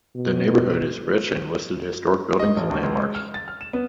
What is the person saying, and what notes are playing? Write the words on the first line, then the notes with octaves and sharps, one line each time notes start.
The neighbourhood is rich in listed historic buildings and landmarks.
B2
D#5
A1
D2
C#2
G#3
F6
A6
F6
E7
B3